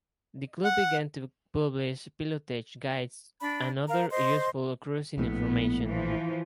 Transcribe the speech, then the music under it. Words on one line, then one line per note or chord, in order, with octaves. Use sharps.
The club began to publish pilotage guides and other useful cruising information.
F#5
D4 D5 B5
A#4 F5 A#5
C5 D#5 C6
A#1 A2 B3
E3 F3